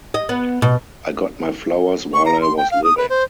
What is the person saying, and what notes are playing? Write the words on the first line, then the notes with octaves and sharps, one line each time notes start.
I got my flowers while I was living.
D#5
B3
B2
C#6
A#5
C6
G5
F5
D#6
B4
C5